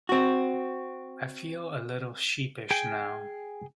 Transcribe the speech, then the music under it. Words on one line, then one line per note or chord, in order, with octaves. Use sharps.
I feel a little sheepish now.
C4 F#4
G#4 G5